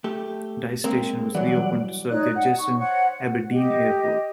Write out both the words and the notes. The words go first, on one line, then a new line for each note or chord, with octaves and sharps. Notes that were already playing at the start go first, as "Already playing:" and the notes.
Dyce station was reopened to serve the adjacent Aberdeen Airport.
A3 G4
G#3 A#3 C4
E3 F#3 G3 D5 F#5
D#4 C#5 D5 F#6
F#5
C#6
C5 C#5 F#5
G4 D#5